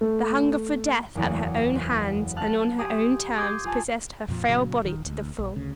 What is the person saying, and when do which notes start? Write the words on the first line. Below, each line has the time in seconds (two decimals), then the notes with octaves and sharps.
The hunger for death at her own hands and on her own terms possessed her frail body to the full.
0.01 A3
1.15 F#1 E2 F#4
1.76 B4
2.36 F5 A5 F6 F#6
2.78 G4 G#4 C6 D#6
3.37 C6 D6 D#6 G6 G#6
3.65 F4 G#4 G#5 A5
4.28 F2 A#2 F3
4.48 A#2 C#3 F#3
4.82 D#1 D#3
5.06 D2
5.39 A#1
5.56 D2 C#3